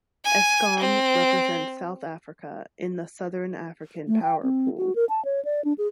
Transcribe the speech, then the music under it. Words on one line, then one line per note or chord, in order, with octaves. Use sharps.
Eskom represents South Africa in the Southern African Power Pool.
G#5
C4
A3
G5
C4
F#4
A#4
A5
C#5
D5
D4
G#4